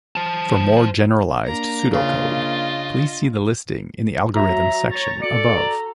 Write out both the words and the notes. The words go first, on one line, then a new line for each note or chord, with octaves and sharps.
For more generalized pseudocode, please see the listing in the Algorithm section above.
C5 A5
A#3 D4 A#5
C#3 F4 D#5
F#3 E5 A#5
C#5 A#5 A6
F#4 A4 D5 C#7
A#5